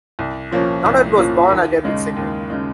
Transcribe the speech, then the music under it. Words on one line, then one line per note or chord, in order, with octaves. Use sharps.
Lonard was born at Epping, Sydney.
C2
A#2 F3 A#3 C#4
C2
A#2 F3 A#3 C#4
D#2
C#3 G#3 D#4
D#2
C#3 G#3 D#4